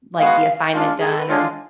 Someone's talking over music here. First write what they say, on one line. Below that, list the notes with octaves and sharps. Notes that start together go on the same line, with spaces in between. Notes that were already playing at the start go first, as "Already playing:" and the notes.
like, the assignment done or
G#3 B3 F#4 F5
G#3 D4 F4
G#4
A4
B4
G#3 D4 F4 C#5